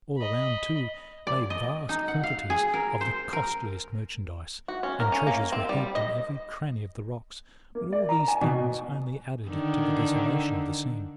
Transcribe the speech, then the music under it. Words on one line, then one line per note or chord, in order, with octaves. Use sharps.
All around, too, lay vast quantities of the costliest merchandise, and treasures were heaped in every cranny of the rocks, but all these things only added to the desolation of the scene.
D#5 B5
D5
D#5
D#4
F#5
F5
G#4
A#4
C5
A#4
F#4
C#4
A#4
C#4
A#3
C4
G3
D#5
A#3
D5
A#5
G#5
B2
D3 D#3